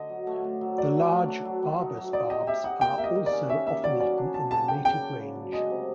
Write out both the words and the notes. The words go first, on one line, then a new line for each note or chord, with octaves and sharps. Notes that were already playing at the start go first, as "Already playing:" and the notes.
The large "Barbus" barbs are also often eaten in their native range.
Already playing: D3 D#5
F#3
A3
D4
F#3
F#3 D5
A3
D4
D4
F#3
F#3
D#4
F#3
D#4 D5
G4 D#5
G4 E5
D#4 F#5
A#3 G5
A#3 E5
D#5
D#3
D5
C#4
C#4 E5
A#3 E5
F#3 D5
C#4 D5
D4
D4 A5
C#3 A5
D4 G5
C#3 G5
D4
C#3
F#3
G#3 D#5
C3